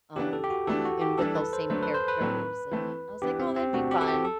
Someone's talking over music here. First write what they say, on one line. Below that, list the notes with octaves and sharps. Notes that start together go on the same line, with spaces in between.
Um, and with those same characters, and I was like, "Oh, that'd be fun."
E3 B3 D4 G4
A4
G4
F#4
E3 A3 D4 A4
F#4
G4
E3 G3 D4 A4
B4
C5
D3 F#3 A3 D4 C5
B4
C5
B4
A2 F#3 A3 C4
E3 A3 C4
E3 B3 D4 G4
C4
C4
B2 A3 D4 F#4
G4
A4
G4
A4